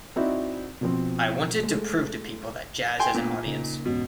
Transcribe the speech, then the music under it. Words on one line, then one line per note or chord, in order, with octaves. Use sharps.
I wanted to prove to people that jazz has an audience.
C4 D#4 E4 F#4 D5
B2 F3 C4
G#3 A3
A4 G5 G#5 C6
A#2 A3 B3 D4
C#3 A#3 D#4
E2 G#2 B2 C#4